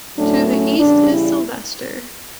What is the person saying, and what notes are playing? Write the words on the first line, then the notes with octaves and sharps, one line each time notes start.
To the east is Sylvester.
A2 F#3 A3 C#4 D4
C#4
E2 C#3 G3 D4
E4